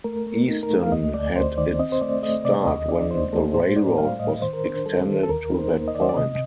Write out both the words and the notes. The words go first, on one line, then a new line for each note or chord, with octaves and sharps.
Easton had its start when the railroad was extended to that point.
A3 A#4
A3
D#4
A#4
A3
F5
D2 D#5
D2 D5
D2 C5
D#3 D5
C4 D#5
C5
A3 D5
A3 D#5
C3 D5
D#2 D#5
D4 D5
D#2 C5
A3 A4
A2 C5
A2 D5
G3 F5
A2 D#5
D#3 C5
A#4
D4 C5
G3 A4
D#3
A4
D#2 A#4
D#4
C5
A#3
D#5
D#3 D5
C5
D5
C3 D#5